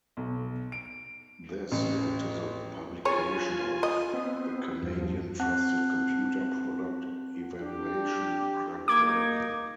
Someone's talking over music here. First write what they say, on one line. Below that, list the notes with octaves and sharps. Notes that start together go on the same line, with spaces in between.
This led to the publication of the Canadian Trusted Computer Product Evaluation Criteria.
B1
D7
A1
F4 G#4 C#5 G#5
D#5
B3 C4
E2 G2 F3
C4 F#5 A5 F#6
D4 G4
A#3 D#4 D6 G#6